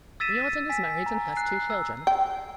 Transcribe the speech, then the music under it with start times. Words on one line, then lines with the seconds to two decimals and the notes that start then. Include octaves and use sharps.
Riordan is married and has two children.
0.20 E6 A6 B6 D#7 E7
0.70 G#5 B6
1.06 G#5 A#5
1.37 F#6 C7
1.70 E6
2.07 G5